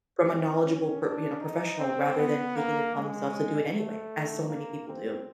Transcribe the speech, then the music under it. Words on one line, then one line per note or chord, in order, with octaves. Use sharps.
from a knowledgeable per you know, professional rather than taking it upon themselves to do it anyway, as so many people do.
C4
C#4
D4
D#4
C4
B3
A#3
G#3
A3
A#3
C4